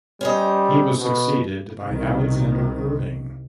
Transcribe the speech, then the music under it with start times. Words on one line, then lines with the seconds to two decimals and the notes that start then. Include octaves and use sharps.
He was succeeded by Alexander Irving.
0.21 G3 C#4 C5 D#5
0.99 B2
1.85 C2 C3 D#3